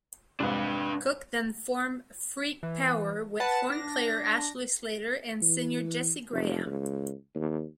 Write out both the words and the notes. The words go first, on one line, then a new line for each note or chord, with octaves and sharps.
Cook then formed Freak Power with horn player Ashley Slater and singer Jesse Graham.
C2 F2 G#2 D4 B4
E3
B4 F#5 A5
D4 A#6
E3
F1
C#2
D#2